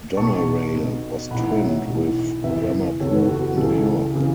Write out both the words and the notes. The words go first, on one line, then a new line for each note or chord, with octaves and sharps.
Doneraile was twinned with Ramapo, New York.
B1 B2 A5 C#6
B1 B2
B1 A2 E3 F#5 B5
E5
C#5 F#5
B1 A2 E3
F#1 E2 E3 B4 E5
F#1 E2 E3 A4 C#5
F#4 B4
F#4
F#4
C#2 C#3 E3 A4
C#3 E3